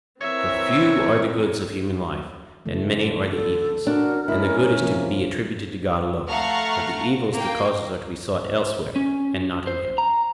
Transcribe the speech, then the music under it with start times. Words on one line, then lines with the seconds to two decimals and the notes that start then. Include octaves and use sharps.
For few are the goods of human life, and many are the evils, and the good is to be attributed to God alone; of the evils the causes are to be sought elsewhere, and not in him.
0.21 E3 C4 A#4 C#5 E5
2.66 C#3 E3 A3
2.98 D3
3.31 D3 A4
3.87 D4 F#4 A#4
4.28 G#3 A3 C#4 E4 D#5
4.80 C3 F3 A#3
6.29 A3 F5 F#5 A#5 C#6 F6
7.34 A#3 G5
8.96 C#4
9.67 C5
9.98 A#5